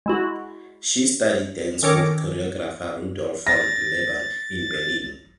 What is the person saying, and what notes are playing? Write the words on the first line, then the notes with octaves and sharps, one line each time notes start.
She studied dance with choreographer Rudolf von Laban in Berlin.
G#3 E4 F#4
D#3 C#4 A4 A#4 C#5 D6
A6 A#6